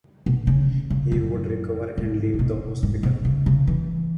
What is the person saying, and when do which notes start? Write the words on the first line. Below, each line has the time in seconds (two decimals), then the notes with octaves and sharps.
He would recover and leave the hospital.
0.26 B2
0.47 C#3
0.90 C#3
1.12 F#2
1.97 G#2
2.34 C#3
2.39 B2
2.83 G#2
3.03 B2
3.25 C#3
3.46 C#3
3.67 E3